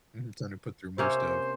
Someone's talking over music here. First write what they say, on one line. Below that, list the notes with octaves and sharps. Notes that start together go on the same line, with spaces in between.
Mhm. Time to put through more stuff.
C3 A#3 C#4 C5